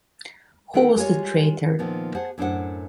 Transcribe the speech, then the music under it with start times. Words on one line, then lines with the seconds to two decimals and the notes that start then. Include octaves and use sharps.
Who was the traitor?
0.74 D#3 A3 A#4 F#5 G5
0.96 G3 G#3 F4 C#5
1.79 A#2 D#3 F3 B3
2.15 G#4 C5 F#5 A5
2.38 F#2 A2 D4 G4 C5 F#5